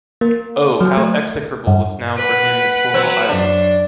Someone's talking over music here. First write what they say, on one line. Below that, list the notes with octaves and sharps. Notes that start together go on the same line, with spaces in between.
Oh, how execrable was now for him his former idol!
A#3
F#3
A3
G2
B4 F#5
F#3 C4
F#2 D4